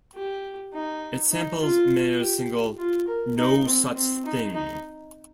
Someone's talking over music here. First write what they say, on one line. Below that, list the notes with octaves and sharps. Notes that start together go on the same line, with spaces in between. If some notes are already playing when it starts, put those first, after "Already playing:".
It samples Mayer's single, "No Such Thing".
G4
D#4
D#4
F4
G4
F4
A#4
D#4
C4
C4
D#4
D#4